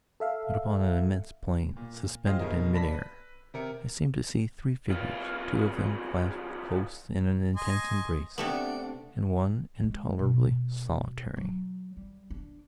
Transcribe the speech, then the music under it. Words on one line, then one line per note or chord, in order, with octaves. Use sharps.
But upon an immense plain, suspended in mid-air, I seem to see three figures, two of them clasped close in an intense embrace, and one intolerably solitary.
A4 E5 F5
A#2
F4 G4 G#4 C5 D#5 F5
F1 B2 D#4 G#4 A#4 D#5
D5 A5 B5 A#6 B6
B4
C3 A#4 C#7
C2 F4
D#5 G#5 C6
C3 A3 B3 D4 D5 F#5
G#3
B2
F#3
G3
D4